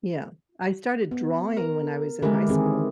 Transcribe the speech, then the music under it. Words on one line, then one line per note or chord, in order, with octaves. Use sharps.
Yeah, I started drawing when I was in high school.
B3
A#4
D3 E3 G#3 G4 A#4
D#3 C4 G#4